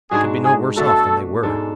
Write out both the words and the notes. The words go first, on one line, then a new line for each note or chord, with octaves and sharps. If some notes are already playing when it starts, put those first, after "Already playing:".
They could be no worse off than they were.
G#2 G#3 D4 F#4 G#4
G#4
B2 A3 D4 F#4 A4
G#2 G#3 D4 A4